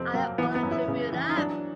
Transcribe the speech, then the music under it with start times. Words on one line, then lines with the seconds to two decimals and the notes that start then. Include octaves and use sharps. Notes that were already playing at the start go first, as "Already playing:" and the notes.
I ordered to root up ...!
Already playing: F2 C3 C4
0.14 F#3 A#3
0.38 E3 B3
0.55 B3
0.63 F#2
0.71 E4
0.88 C#3
1.12 E3
1.29 D#4
1.37 F#3 D4